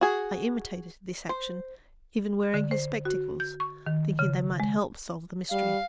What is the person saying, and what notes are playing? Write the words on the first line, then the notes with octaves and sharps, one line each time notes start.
I imitated this action, even wearing his spectacles, thinking they might help solve the mystery.
F#4 G#4
C5
D3
C5
F#4
G6
C#6
D#3
C#3
G#3
G3 F5